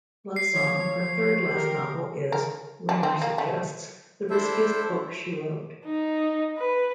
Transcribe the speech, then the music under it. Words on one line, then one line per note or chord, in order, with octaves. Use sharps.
"Lovesong", her third last novel, is, Riemer suggests, "the riskiest book she wrote".
C7
F3 C#5
G4 A#4
A#4
D4
C4
A#3
A3
D4 E4 A4 C5 E5
D#4
B4